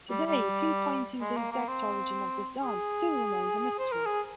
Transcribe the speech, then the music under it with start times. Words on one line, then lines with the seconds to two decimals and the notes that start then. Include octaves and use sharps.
Today, pinpointing the exact origin of this dance still remains a mystery.
0.10 G3
0.26 G3
1.21 G#3
1.37 A#3
1.52 A#3
1.68 C4
2.63 G#4
3.79 C5
3.92 A#4
4.06 G#4